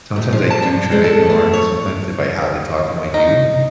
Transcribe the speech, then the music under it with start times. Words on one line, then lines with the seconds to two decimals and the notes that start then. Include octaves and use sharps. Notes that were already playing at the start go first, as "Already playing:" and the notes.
sometimes I do try to ignore him. Sometimes if I have to talk to him, I do.
0.16 A2
0.33 F3
0.50 A5
0.63 G2
0.92 G#3
1.04 A4
1.30 A3
1.53 C#5
3.14 D#4